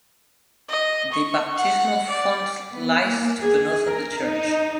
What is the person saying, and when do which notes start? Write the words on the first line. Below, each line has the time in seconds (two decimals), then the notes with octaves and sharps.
The baptismal font lies to the north of the church.
0.69 D#5
1.13 C#6
1.56 F#5
2.09 D5
2.71 B3
3.03 A#3
3.40 G#4
3.87 A#4
4.23 D#4